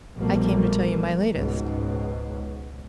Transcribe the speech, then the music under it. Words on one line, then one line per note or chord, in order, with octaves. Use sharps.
I came to tell you my latest.
A#1 B2 F3 G3 A3 A#3
C#2 G#2 B2